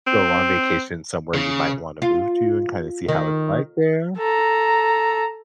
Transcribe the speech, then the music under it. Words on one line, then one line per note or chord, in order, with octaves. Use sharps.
Go on vacation somewhere you might wanna move to and kinda see how it's like there?
C4
C#3
F4
D#3
A4 A#5